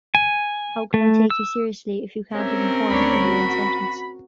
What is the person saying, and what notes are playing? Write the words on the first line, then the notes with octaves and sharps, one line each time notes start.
How can I take you seriously if you can't even form a coherent sentence?
G#5
A3
E6
C4 C#4 G4 A#4 C#5 E5
D2 D4 C#5 B5
F#4